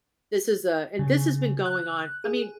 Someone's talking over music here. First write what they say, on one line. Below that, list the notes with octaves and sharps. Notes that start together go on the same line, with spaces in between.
this is a and this has been going on I mean,
C#3
F#6
G#4